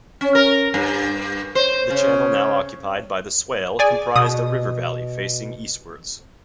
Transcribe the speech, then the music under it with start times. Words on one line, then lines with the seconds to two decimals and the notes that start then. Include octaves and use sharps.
The channel now occupied by the Swale comprised a river valley facing eastwards.
0.21 C#4
0.35 A#4
0.74 G2
1.55 C5
1.90 C#3
3.79 G#4 D5 G#5
4.16 B2 D#6